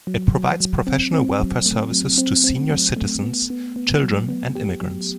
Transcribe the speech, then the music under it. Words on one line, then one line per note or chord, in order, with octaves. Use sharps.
It provides professional welfare services to senior citizens, children and immigrants.
F#3
F#3
F#3
C4
C4
F#3
A3
F#3
C4
C4
F#3
A3
B3
B3
B3
F#3
B3
G4
F#3